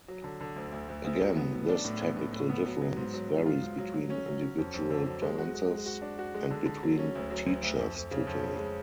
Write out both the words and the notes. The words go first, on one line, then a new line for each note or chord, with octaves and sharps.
Again, this technical difference varies between individual dancers, and between teachers today.
F#3
D3
D3
D2
D2
D2
D2
F#3
B3
A2
D4
A2
B3
A2
A2
B3
F#3
F#3
G#2
F#3
F#3
F4
G#2
F#3
F#3
C#4
F#3
C#4
F2
F2
D3
F#3
G#3
F#4
G#3
G#3
F#4
D4
F#4
G#3
D3
D3
F#3
C#4
D2
F#3
D2
D2
F2
F2
C#3
F2
C#3
G#3